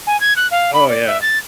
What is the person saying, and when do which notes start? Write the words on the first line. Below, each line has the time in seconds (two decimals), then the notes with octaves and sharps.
Oh, yeah.
0.07 G#5
0.21 G#6
0.37 F#6
0.51 F5
0.74 B5
0.89 D5
1.06 E5
1.22 A6